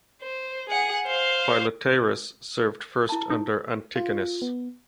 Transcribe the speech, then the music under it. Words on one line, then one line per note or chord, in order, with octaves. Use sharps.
Philetaerus served first under Antigonus.
C5
G#4 F#5
C5 F5
E4 A5
D#4
F4
B3